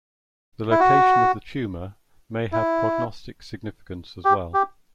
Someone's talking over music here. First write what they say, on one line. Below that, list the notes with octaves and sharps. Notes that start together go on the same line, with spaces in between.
The location of the tumor may have prognostic significance as well.
E4
F#4
E4
G4
G4